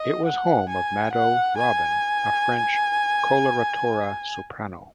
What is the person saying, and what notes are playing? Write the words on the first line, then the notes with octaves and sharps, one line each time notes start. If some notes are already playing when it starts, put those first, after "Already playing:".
It was home of Mado Robin, a French coloratura soprano.
Already playing: D#5
F#5
G#5
F#5
G#5